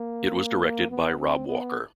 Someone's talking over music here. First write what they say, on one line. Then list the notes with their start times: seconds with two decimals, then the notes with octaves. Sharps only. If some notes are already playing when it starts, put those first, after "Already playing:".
It was directed by Rob Walker.
Already playing: A#3
0.63 A#3
0.91 B3
1.20 C4
1.47 B3